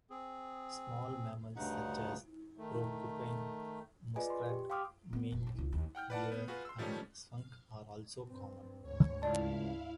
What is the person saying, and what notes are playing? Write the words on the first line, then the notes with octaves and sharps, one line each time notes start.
Small mammals such as the porcupine, muskrat, mink, beaver and skunk are also common.
C4 G#4
D2 G2 C#3 D#4 F#5
D#3 A3
F4 G#4 B4 D5 D#5 G#5
C6
G4
F5 G5 C6 D6 D#6 F6
B3
F1
A1
C#2
D#2
F#5 G5 F6 G6
B4 D5 F#5 A5
B3
F4 F#4 G#4 B4
C6 E6
D#3 F3 G3 A3 C#4
G2 C4
D2 G#2 C#5
C#2 E4 D5 F5 A5